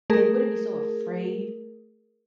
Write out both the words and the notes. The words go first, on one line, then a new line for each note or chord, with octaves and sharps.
they wouldn't be so afraid
A3 G#4 A#4